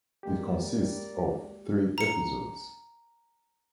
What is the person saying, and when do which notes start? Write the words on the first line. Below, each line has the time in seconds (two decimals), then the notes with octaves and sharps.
It consists of three episodes.
0.23 G3 G#3 A#3 G4 A#4 D5
1.98 A#5 C#7